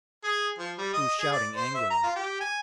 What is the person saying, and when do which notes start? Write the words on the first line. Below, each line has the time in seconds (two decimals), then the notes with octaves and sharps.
He was shouting angrily.
0.23 G#4
0.58 F3
0.78 G3
0.93 D#5
1.19 G#4
1.32 D5
1.56 C5
1.75 E5
1.90 A#5
2.03 F4
2.16 G4
2.40 G#5